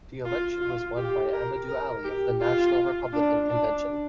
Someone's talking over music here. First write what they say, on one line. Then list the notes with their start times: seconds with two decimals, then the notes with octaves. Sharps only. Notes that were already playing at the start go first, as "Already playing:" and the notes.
The election was won by Ahmadu Ali of the National Republican Convention.
0.25 F4
0.61 F4
0.97 G4
1.33 A#4
1.68 A#4
2.04 G4
2.41 F4
3.13 D4
3.49 D4